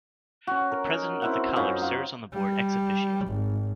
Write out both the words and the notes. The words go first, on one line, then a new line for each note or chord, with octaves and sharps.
The President of the College serves on the Board ex officio.
C#4 F#4
A#4
D#4 A#4
C4 E4 F#5
F#2 C#4 D#4 F4
F4 F#5
G3
G#1